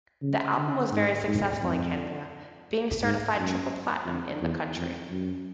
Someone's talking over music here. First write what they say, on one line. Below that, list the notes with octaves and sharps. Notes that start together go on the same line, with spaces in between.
The album was very successful in Canada, being certified Triple Platinum in the country.
C#3
D3
G#2
G#2
F2
G#2
F#2
F2
E2
F2
F#2